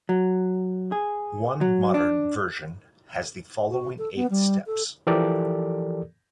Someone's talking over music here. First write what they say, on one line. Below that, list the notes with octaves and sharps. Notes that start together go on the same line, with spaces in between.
One modern version has the following eight steps.
F#3
G#4
F#3
D4
F#4
A4
B3
G3
A4
E3 F3 G4 A4 A#4 D5